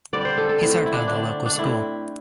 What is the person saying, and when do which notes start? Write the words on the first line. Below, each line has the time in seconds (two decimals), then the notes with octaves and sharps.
He served on the local school.
0.13 D3 G3 C4 D5
0.25 C5
0.38 A4
0.49 A4
0.61 D3 A3 C4 E4
0.86 E4
0.93 D4
1.08 D3 A3 C4 D4
1.46 D4
1.58 A2 A3 C4 E4